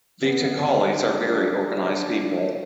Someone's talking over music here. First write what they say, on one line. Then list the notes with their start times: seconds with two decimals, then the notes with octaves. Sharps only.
The Thakalis are very organized people.
0.23 B3
0.97 D4